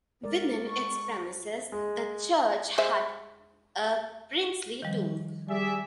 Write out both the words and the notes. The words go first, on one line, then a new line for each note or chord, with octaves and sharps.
Within its premises the church had a princely tomb.
G#3 A#4 D5
C#6
G#3
G#3 C5 E5
D#3 F3 G3
G3 G#4 D5 E5 G#5